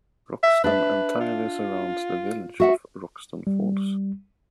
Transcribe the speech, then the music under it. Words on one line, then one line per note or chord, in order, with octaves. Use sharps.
Roxton entirely surrounds the village of Roxton Falls.
E5
D4 B4 D5 E5
F4
F#4 E5 F#5
G3